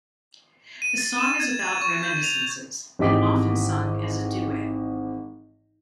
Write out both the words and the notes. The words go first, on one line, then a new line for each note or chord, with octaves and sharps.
The song is about reminiscences, and often sung as a duet.
D#7
A6
E7
G#6
G#6
C#6
G6
F7
G#1 E3 G4 D#5 D6 B6